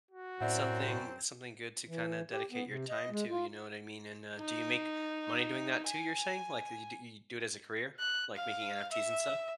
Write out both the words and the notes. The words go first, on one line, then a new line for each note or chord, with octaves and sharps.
It's something something good to, kinda, dedicate your time to, you know what I mean, and, uh, do you make money doing that too, you're saying, like, uh, you do you do it as a career, like making NFTs and stuff,
F#4
F#2 A2 C4 D5 E5 F#5
E3
G4
B3
C3
D#5
G#3
F4
D#4
G#5
F#6
F5
E5